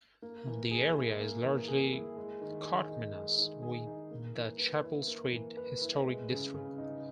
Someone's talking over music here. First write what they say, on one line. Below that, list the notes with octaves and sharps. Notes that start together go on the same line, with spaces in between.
The area is largely coterminous with the Chapel Street Historic District.
A#3
E3
G#4
E4
A#3
E3
G#4
E4
G#3
D#3
G#4
D#4
G#3
D#3
G#4
D#4
A#3
E3
B4
E4
A#3
E3
B4
E4
G#3
C#3
C#3
D#4